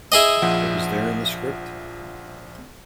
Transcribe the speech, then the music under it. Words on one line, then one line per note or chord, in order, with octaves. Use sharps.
It was there in the script.
E4 G#4 D#5
A#1 F3 F#5